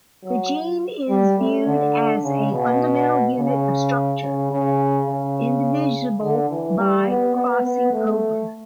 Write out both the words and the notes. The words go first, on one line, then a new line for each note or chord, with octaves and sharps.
The gene is viewed as a fundamental unit of structure, indivisible by crossing over.
F#3
G3
A3
D3
C#3
B2
C#3
C#3
C#3
C#3
D3
E3
G3
B3
B3
B3
A3